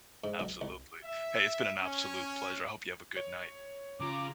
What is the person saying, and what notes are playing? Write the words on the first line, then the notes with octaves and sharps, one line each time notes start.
Absolutely. Hey, it's been an absolute pleasure. I hope you have a good night.
G#2
B1
C2
E5
C#4
C#5
C#3 F4 A#5 D6